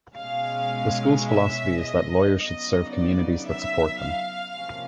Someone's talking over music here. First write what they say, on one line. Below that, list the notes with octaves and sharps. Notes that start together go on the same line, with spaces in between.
The school's philosophy is that lawyers should serve the communities that support them.
B2 G#3 C#4 F5
E5
D#5
C#3 F#3 B3 D#4 D#5
D5
E5
F5
C3 F3 A#3 C#4